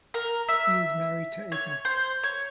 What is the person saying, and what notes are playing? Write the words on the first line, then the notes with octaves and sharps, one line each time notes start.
He is married to Apryl.
A#4
E5
C#5
C5
C#5